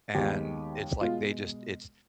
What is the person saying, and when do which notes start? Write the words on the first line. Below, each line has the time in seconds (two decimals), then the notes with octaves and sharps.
and, it's like they just it's
0.14 D#2 D#3 G#3 B3 G4
1.01 B2 G#3 B3 F4